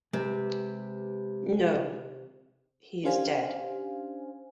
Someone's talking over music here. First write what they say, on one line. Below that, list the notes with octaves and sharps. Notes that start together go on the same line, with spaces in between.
No; he is dead.
C3 G#3 G4 B4
C#4 D4 G4 C5 F5 G#5